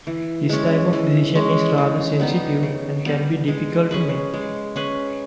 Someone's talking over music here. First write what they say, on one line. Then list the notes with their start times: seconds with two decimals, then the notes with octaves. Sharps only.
This type of decision is rather sensitive, and can be difficult to make.
0.07 E3
0.49 G#3 C#4
0.93 E3
1.35 G#3 C#4
1.78 C#3
2.20 G3 B3 D#4
2.63 C#3
3.06 G3 B3 D#4
3.48 G#3
3.91 C#4 G#4 B4
4.34 G#3
4.76 C#4 G#4 B4